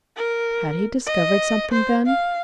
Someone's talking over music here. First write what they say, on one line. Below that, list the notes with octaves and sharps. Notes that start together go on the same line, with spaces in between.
Had he discovered something then?
A#4
D#5
C5
F5